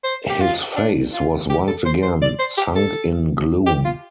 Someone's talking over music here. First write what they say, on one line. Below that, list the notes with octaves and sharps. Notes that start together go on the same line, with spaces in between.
His face was once again sunk in gloom.
C5
G4
F4
D4
F4
G4
A4
C5
C5
D5
C5
G4
A4
G4
F4